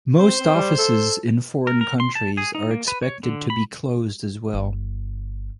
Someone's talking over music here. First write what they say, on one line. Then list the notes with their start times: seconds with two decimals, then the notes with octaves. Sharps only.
Most offices in foreign countries are expected to be closed as well.
0.20 C4 C5
0.41 C4
0.55 G3
0.78 A4
1.67 A#4
1.81 A#4
2.00 C6
2.15 A5
2.37 G#4
2.55 D#4
2.71 A#3
2.88 B4
3.03 C#5
3.23 D3
3.50 B5
4.53 G1